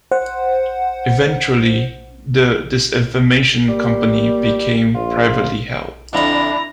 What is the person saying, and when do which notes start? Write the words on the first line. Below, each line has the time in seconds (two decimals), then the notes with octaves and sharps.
Eventually, the Disinformation Company became privately held.
0.11 C5 F#5
3.69 G3 A#3
4.95 A#1 F4
6.13 F2 D3 F3 D4 E4 A#5